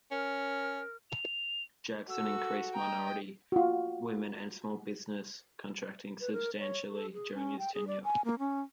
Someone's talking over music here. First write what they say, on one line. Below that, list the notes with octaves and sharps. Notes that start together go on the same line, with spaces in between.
Jackson increased minority, women and small business contracting substantially during his tenure.
C#4 A#4
F7
F#4 A4 E6
D#5 G5 A#5
F4 F#4
B4
A#4
C#5
A4
G#4
C#4
G5
G#4
D5
G#5
A#3
C#4